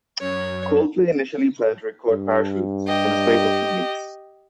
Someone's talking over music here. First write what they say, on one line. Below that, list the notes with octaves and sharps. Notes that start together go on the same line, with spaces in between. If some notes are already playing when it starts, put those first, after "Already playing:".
Coldplay initially planned to record "Parachutes" in the space of two weeks.
F#2 C#5
G2
G4 D#5